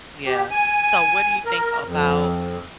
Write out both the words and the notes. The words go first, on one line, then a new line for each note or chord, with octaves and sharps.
Yeah. So, what do you think about,
G4
G#5
A#4
F2